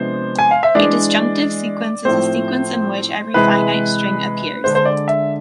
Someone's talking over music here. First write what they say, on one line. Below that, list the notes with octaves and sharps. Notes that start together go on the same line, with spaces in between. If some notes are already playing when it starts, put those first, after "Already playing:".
A disjunctive sequence is a sequence in which every finite string appears.
Already playing: C3 F3 G#3 B3 D4 C5
G#5
F5
E5
E3 G#3 D4 D5
A2 F3 A3 C4 C5
C3 E3 G#3 B4
D3 G#3 D4 C5
C5
D5
E5